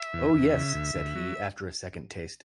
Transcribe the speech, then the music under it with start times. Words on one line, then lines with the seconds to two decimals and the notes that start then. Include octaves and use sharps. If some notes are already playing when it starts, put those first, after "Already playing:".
Oh, yes!’ said he, after a second taste.
Already playing: E5
0.13 E2
0.34 E2
0.54 C#3
0.74 D2
0.95 D2
1.15 F#3